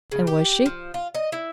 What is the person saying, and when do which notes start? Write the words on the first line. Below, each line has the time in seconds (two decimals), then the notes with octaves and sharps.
"And was she?"
0.12 C#3
0.27 G4
0.66 F3
0.94 F4
1.14 D#5
1.32 E4